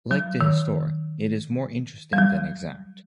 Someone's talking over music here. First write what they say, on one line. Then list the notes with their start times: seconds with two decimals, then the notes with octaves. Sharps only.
Like the "Histoire", it is more interesting than exact.
0.11 F#3
0.41 D#3
2.13 G3
2.18 F#3